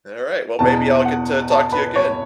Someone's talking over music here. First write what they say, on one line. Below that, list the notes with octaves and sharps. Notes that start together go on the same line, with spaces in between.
Alright, well, maybe I'll get to talk to you again.
E2 B2 A5
F#5
A5
B4 B5
C#5 C#6